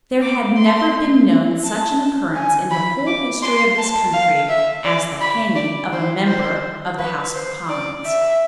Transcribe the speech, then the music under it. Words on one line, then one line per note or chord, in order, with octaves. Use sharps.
There had never been known such an occurrence in the whole history of this country as the hanging of a member of the House of Commons.
D6
C6
A5
G#5
B5
D6
C6
A5
F5
E5
D5
B5
D5
C5
C5
B4
C5
D5
E5